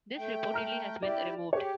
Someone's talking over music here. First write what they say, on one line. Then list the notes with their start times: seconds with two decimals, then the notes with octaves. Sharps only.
This reportedly has been removed.
0.17 A3 G5
0.54 A#5 F6
1.02 E4 G4 D5
1.53 G4 G#4 C#5